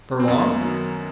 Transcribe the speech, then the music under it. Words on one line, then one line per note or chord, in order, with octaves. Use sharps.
"For long?"
C4
F#2 B3
D#3 F#3